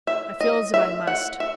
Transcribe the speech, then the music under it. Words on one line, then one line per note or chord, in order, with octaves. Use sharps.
I feel as if I must.
E5
D#5
E5
F#5
E5